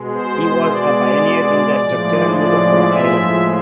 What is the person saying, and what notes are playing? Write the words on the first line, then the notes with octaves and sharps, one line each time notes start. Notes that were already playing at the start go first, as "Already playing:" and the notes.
He was a pioneer in the structural use of wrought iron.
Already playing: B2 G#3
C5
D5
A2 F3 G#3
D5
E5